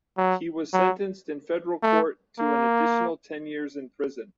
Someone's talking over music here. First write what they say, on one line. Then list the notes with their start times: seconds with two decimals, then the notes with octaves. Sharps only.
He was sentenced in federal court to an additional ten years in prison.
0.18 F#3
0.73 F#3
1.83 A3
2.39 A#3